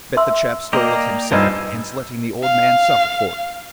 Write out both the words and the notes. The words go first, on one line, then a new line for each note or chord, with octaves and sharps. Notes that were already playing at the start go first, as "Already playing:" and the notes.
Bet the chap stole it himself and 's letting the old man suffer for it.
E5 C6 E6
A#3 D5 D#5 G5 A#5
G2 D#4 F4 C5 G#5 E6
F5